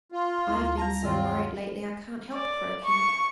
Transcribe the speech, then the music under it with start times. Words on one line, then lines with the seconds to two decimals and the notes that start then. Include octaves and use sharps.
'I've been so worried lately, I can't help croaking.
0.12 F4
0.48 D2 E4
0.77 G3 A5 A#5
1.03 G2 D#3 F#3 C4 F4 D5
2.34 D5
2.84 C#6